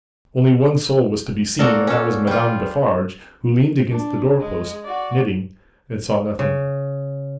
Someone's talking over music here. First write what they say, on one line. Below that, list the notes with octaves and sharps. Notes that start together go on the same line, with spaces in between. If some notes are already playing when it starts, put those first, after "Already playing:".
Only one soul was to be seen, and that was Madame Defarge--who leaned against the door-post, knitting, and saw nothing.
A#3 F#4 A4 A#4 D5 F#5
C#4 A4
G3 F4
D4
G#3
F#4 D5
C#3